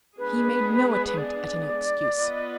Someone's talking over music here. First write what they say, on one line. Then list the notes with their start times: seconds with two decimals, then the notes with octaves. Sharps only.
He made no attempt at an excuse.
0.18 G#3 B3 D4 G#4 B4
1.06 B4
1.17 D5
2.17 B3 F4 B4 D#5